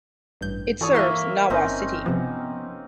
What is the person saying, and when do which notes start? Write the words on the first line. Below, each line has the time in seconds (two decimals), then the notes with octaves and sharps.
It serves Nawa City.
0.41 A1 G2 G6
0.81 E3 A4 C#5 D#6
0.94 A#3 E4 E5 C6
1.50 G1 C4 C#4 D#4
2.06 C3 F3 B3